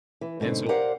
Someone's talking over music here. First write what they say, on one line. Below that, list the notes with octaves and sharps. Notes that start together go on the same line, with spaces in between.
and so
E3
G#2 B2 D3 C4
G4 A#4 C5 D5 F5 F#5